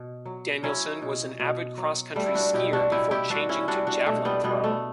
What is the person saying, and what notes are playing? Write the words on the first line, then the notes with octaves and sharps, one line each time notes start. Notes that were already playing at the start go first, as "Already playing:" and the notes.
Danielsen was an avid cross-country skier before changing to javelin throw.
Already playing: B2
F#3
F#3 C#4 E4
B2
B2
F#3
G3 A3
E4
D4 F#4
B2 E4 G4
D4 F#4
B2 E4 G4
E4 G4
G3 D4 F#4
C#4 E4
G3 D4 F#4
D4 F#4
B2 A3
G3 B3
B2 G3 B3
A3